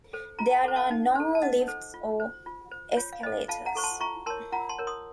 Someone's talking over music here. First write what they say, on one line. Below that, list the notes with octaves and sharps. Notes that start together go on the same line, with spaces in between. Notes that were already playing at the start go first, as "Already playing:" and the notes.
There are no lifts or escalators.
A4 C5
F4 A#5
A5
A4 C5 F#5
F5 A5
D#4
A4 C5
A5
D#4 D#5 F#5
A4 C5
F4
C5
F4
C5
F4 C#5
F5
A4 C5 D#5
F4 F5 A5
F#5 A#5
A4 C5 C#6
A5 C6
F4 A#5 C#6
A#4 C#5 A5 C6
F4 F#5 A#5
A5 C6
A#4 C#5
C6 D#6